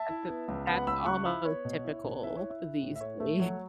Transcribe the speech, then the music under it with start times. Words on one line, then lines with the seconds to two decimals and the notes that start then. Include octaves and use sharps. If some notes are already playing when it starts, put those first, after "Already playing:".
At the that's almost typical, these days,
Already playing: E5 A5
0.09 E4
0.28 B3
0.48 C#2
0.67 B3 F#5 B5
0.87 C#2 B5 E6
1.06 C#2 C#6 F#6
1.25 E4 B5 E6
1.45 B3 C#5
1.65 B2
1.84 E4
2.04 B2
2.23 E4 E5
2.37 C#5
2.42 E4
2.50 E5
2.62 E4
2.82 A2
2.96 E5
3.01 A3 C#5
3.20 A3 E5
3.40 F#3 C#5 F#5